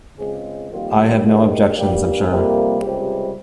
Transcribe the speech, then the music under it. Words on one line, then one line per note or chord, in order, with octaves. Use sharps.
I have no objections, I’m sure.
C#2 C#3 G#3 C4 G#4
F2 D#3 G3 A#3 F4
G2 D#3 G#3 F4
G2 G3 A#3 G4
F2 C3 G3 A#3
C#2 C3 G3 C4 G4